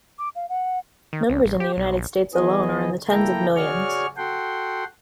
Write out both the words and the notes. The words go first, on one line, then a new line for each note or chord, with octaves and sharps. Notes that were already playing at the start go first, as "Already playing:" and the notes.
Numbers in the United States alone are in the tens of millions.
D6
F5
F#5
D#3
C#2
A1
G4
B1
A#1
E3 B3 G#4 D#5
A#3 E4 A4 G5 A#5
F#4 G#4 C#5 D5 C#6 F6
F#4 A4 F#5 G5 C6